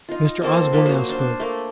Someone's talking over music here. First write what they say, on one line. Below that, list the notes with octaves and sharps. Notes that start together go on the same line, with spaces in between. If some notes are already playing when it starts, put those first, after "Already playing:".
Mr. Osborne now spoke.
D#4 F4
A#3 C4 A4 C5
F3 A#3 A4 B4
F#3 A#3 C5
D4 C5 F5
A3 A#3